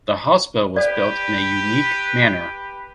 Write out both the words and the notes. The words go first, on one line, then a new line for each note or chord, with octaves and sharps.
The hospital was built in a unique manner.
G4 B4 D5